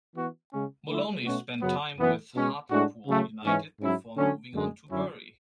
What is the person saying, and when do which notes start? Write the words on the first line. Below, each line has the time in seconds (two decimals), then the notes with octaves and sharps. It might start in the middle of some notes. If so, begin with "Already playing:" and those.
Moloney spent time with Hartlepool United before moving on to Bury.
0.15 E3 B3 F#4
0.51 C#3 G#3 C#4
0.88 D3 A3 E4
1.24 B2 A3 C#4 F#4
1.61 F#2 C#3 F#3 B3
1.98 F#2 E3 B3
2.34 B2 G#3 C#4
2.70 A2 G#3 D4 F#4
3.08 C#3 F#3 A3
3.44 G#2 E3 G#3 C#4 E4
3.81 G#2 F#3 C#4 E4
4.17 D3 F#3 C#4
4.54 F#2 D3 G#3
4.90 F#2 D3 F#3 C#4 E4